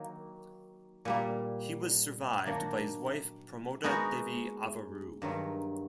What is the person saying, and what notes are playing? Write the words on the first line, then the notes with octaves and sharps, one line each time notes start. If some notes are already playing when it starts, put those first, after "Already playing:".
He was survived by his wife Pramoda Devi Avaru.
Already playing: D#3 F#3 A#3
A#2 G3 A#3
D#3 F#3 A#3 D4
G#3 B3 D#4 F#4 A#4
G2 D#3 F#3